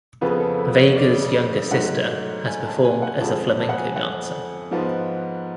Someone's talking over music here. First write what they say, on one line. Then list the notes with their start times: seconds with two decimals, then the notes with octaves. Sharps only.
Vega's younger sister has performed as a flamenco dancer.
0.21 F2 C#3 F3 B3 B4
0.40 A4
0.58 B4
0.78 C#5
0.96 D5
1.71 G#2 F#3 A3 F#5
2.47 G#5
2.66 A5
2.84 G#5
3.02 F#5
3.21 F2 F3 G#3 A5
3.59 A5
3.69 F#5
3.78 G#5
3.96 F#5
4.71 G#2 F3 B3